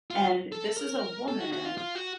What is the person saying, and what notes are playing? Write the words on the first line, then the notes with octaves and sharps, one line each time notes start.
and this is a woman
F4
A4
A#4
A4
F#4
F#4
F4
F4
F#4